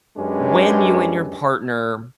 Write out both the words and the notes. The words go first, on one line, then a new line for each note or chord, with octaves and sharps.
when you and your partner
F#2 G#3 C#4 D4 G4 B4